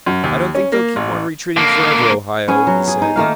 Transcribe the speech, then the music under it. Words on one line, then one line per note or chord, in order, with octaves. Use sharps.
"I don't think they'll keep on retreating forever, Ohio," he said.
F#2
D#2
C#4
A#3
A1
D3 A#3
B3 C#4 G#4
F#3
G#4
D#4
D#3 A3 A#3 F5